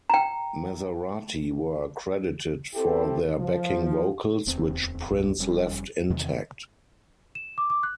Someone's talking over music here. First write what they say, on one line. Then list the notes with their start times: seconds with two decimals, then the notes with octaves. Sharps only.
Mazarati were credited for their backing vocals, which Prince left intact.
0.10 G5 A#5
2.75 C4 E4 G4 A4
3.39 F3
4.46 D1 E2 C4
5.11 A#1 F2
5.38 F1 G3 C#4
6.10 E2 C3 D#3
7.35 E7
7.58 D6
7.70 D6
7.83 F#6